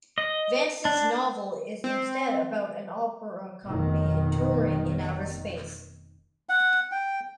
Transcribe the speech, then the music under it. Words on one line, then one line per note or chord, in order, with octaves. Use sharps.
Vance's novel is instead about an opera company touring in outer space.
D#5
D4
C4
F1 B2 D#3
F#5
G5